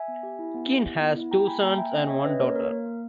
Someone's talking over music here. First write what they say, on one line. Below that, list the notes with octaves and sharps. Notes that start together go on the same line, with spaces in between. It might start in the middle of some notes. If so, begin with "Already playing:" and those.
Keen has two sons and one daughter.
Already playing: E5 G#5
B3
G4
E4
B3
G4
E4
B3
E4
G4 G5 A#5
A#3 G#5 B5
A#3 G5 A#5
A#3 E5 G#5
C#4 D#5 G5
C#4 C#5 E5
C#4 B4 D#5
A#3 A#4 C#5
A#3 A#4
A#3
A#3